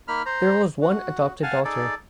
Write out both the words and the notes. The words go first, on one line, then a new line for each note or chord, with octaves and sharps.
There was one adopted daughter.
A#3 D#4 B5 F6
C5 A#5
F#4
F5 F#5 G#5 A5
D#4 G#4 A4 D5